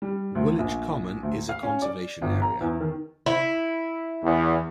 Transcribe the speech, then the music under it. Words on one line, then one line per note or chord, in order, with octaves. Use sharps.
Woolwich Common is a conservation area.
G3
D2
A#1
D2
F5
C#4
D5
G1
A#5
E2
D#3
E4
E2